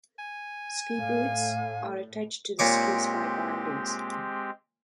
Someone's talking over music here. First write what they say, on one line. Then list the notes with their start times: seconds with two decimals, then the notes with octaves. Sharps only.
Ski boots are attached to the skis by bindings.
0.19 G#5
0.98 A2 F5
2.59 A#2 G#3 C4 G4 C#5 D6